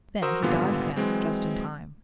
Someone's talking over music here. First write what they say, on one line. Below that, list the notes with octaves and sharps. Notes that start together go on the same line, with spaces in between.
Then he dodged back just in time.
F#4 A#4 C5 D#6 E6
G#1 A#2 D3 G3 B3 F4
E3 F#3 G#3 C4